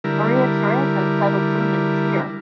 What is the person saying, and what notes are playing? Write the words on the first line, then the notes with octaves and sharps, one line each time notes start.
Maria Theresa settled Germans here.
D3 G3 E4 A#4